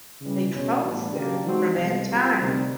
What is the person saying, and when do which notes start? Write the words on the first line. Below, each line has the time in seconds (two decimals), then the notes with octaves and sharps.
they closed it for that time.
0.21 C#3 E3 G3
0.52 E2 B2 G#3 C#4
0.83 A2 E3 G3 B3 D4
1.13 C#3 F#3 A#3 D4 G4
1.45 E3 G#3 C4 D#4 F#4
1.76 C2 B2 G#3 B3
2.07 G3 C4 F4
2.37 D2 C3 D#3 G3 C4